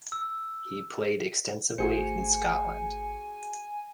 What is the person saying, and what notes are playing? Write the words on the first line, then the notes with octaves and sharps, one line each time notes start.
He played extensively in Scotland.
E6
G#1 A3 F#4 G#4 C5 G#5 C#7